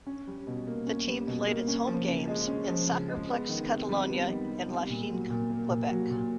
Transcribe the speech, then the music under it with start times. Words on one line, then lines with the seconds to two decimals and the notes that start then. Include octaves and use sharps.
The team played its home games in Soccerplexe Catalogna in Lachine, Quebec.
0.07 C#4
0.27 G3
0.47 B2
0.67 A#3
0.87 C#4
1.07 G3
1.27 B2
1.47 A#3
1.68 C#4
1.87 F3
2.08 C#3
2.28 G#3
2.48 C#4
2.69 F3
2.89 C#3
3.08 G#3
3.29 B3
3.49 D#3
3.69 C3
3.89 G3
4.09 B3
4.29 D#3
4.49 C3
4.69 G3
4.90 A#2
5.10 F#3
5.30 A#2
5.50 A#3
5.70 A#2
5.90 F#3
6.10 A#2